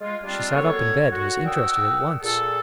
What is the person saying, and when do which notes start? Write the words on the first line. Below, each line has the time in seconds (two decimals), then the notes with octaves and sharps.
She sat up in bed, and was interested at once.
0.01 G#3 F4
0.23 G3 C4 D4 F4
0.54 F#3 B3 A4 A#4 C#5
1.11 F#4
1.45 D4 A#4 F#5 G5 D#6 E6
2.22 A#2 G#4 A4